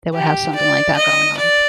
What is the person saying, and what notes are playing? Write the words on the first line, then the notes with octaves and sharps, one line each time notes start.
they would have something like that going on.
G4
D5
D#5
D5